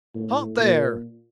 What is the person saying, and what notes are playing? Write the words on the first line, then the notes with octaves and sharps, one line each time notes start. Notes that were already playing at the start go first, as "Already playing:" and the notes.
"Halt there!"
A2
A#2